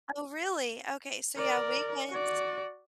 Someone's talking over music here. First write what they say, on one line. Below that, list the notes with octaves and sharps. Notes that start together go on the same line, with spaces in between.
Oh really, okay, so yeah, we went
A#4 D5
F#4 D5